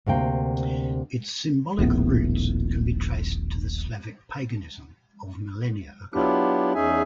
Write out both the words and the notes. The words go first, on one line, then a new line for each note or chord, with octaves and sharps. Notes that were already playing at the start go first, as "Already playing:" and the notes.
Its symbolic roots can be traced to the Slavic paganism of millennia ago.
D2 C3 A#3 G5
D#1 A#1 A2 B3
F#3 B3 D4 E4 F4 G4
E2 C#4 D#4 G#4 E5 G#5